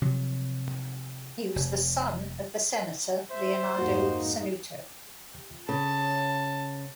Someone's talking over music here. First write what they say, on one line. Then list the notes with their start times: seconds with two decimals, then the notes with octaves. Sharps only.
He was the son of the senator Leonardo Sanuto.
0.02 C3 F3 F#3
1.56 F1
3.31 C5 E5
3.78 F2 G#2 A#3 D#4 F#4
5.69 C#3 A5